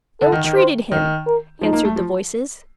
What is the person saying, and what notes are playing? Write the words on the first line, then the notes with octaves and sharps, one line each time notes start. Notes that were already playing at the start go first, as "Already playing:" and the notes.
'Ill-treated him!' answered the voices.
D3 A4
D#3
D#3
C5
D#3
A#4
F3 D#4
A#3
A3
F3